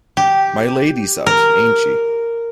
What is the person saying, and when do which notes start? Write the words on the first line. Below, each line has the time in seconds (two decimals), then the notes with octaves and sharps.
My Lady's out, ain't she?
0.17 G4
1.26 A#4